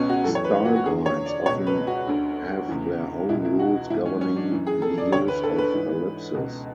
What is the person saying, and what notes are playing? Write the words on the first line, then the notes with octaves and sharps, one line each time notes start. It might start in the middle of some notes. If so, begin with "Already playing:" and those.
Style guides often have their own rules governing the use of ellipses.
Already playing: C#2 B2 B3 C#4
F#4
F#2 E3 A4
C#5
B4
F#4
F#4
E2 D3 G#4
C#5
D5
C#2 B2 C#5
B4
F#4
D2 D3
E2 C#3 E3
C#2 B2 E4
E4
F#4
G#2 E3 E4
C#4
C#4
D4
F#2 E3
G#4
A4
D5
D2 D3 C#5
B4
A4
B4
G#2 E3
C#2 B2